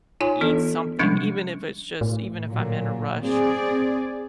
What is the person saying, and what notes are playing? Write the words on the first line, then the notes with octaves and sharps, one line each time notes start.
eat something, even if it's just even if I'm in a rush
D#4 F4 C#5 G#5 C6
E3 B3 D4 A4
C3 F3 G3 G#3 C#4 D4
A2
A#2 F#3
C4 G#4 D5